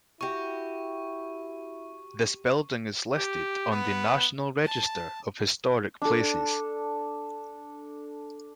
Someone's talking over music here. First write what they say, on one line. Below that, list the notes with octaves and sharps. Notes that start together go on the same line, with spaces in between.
This building is listed on the National Register of Historic Places.
E4 F#4 G4 C#6
G4
B3
A5
D4 A4